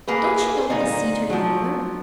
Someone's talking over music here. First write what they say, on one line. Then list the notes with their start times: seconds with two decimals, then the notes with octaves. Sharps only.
"Don't you know that the sea turned it over?"
0.08 A#3 G#4 B4
0.70 A#2 D3 D#4
1.30 F3 F#3